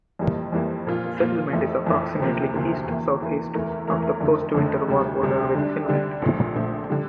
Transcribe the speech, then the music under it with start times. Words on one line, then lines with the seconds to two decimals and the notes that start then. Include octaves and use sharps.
The settlement is approximately east-southeast of the post-Winter War border with Finland.
0.19 F2 E3 G3 A#3
0.52 F2 E3 G3 A#3
0.87 A#2 F3 A#3 F4
1.20 A#2 F3 A#3 F4
1.53 F2 E3 A3
1.87 F2 E3 A3
2.20 D2 C3 F3 A#3
2.54 D2 C3 F3 A#3
2.87 E2 E3 A#3
3.20 E2 E3 A#3
3.54 E2 E3 A3 E4 A#4
3.87 E2 E3 A3 E4 A#4
4.20 F2 D3 A3
4.55 F2 D3 A3
4.88 D2 C3 G3
5.21 D2 C3 G3
5.55 D3 G3 D4
5.88 D3 G3 D4
6.22 A#1 A#2 F3 A3
6.55 A#1 A#2 F3 A3
6.89 D3 G3 D4